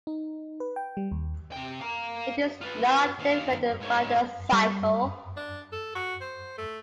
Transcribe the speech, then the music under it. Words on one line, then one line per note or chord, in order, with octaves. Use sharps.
It is not difficult to find a cycle.
D#4
B4
G5
G3
D#2
C3 G5
F5 A#5
F4 B4
D#2 F5
G#2 C#5
G3
D4
A4
F#4
C5
A3